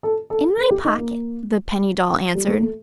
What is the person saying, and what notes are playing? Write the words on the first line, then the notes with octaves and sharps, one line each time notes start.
"In my pocket," the penny doll answered.
A4
A4
A4
G4
D#4
A#3
G3
A3
A3